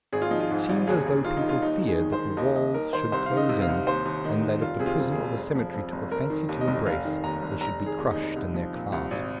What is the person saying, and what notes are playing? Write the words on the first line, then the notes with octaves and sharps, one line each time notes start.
It seemed as though people feared that the walls should close in, and that if the prison or the cemetery took a fancy to embrace, they should be crushed in their clasp.
G#1 G#4
F4
F3 D#4
F4
G#2
G#1
D#2 G#4
D#2
D#3 F4
D#4
D#3
F4
D#2 D#4
D#2
G#4
D#3
C5
D#3
D#2 D#5
D#2 D#5
D#3 A#4
D#3 C5
C2 C5
D#3 F5
D#5
C3
F5
C2
D#2 C5
D#2
D#3 D#4
D#3
F1 F4
C3 G#4
F4
F2
G#4
F1
F1
F3
F2
F1
F1 A#4
D#3
D#2
D#5
F1
F1 F5
D#3
D#2 A#5
F1
F1 A#5
D#3
G#4
D#2
D#4
F1
C2
F3
A#2
C2
G#1